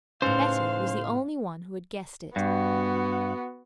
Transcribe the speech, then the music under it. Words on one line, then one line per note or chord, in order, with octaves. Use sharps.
Betty was the only one who had guessed it.
A2 C#3 C#4 D#4 B4 C5 F5 C6
G2 B3 F#4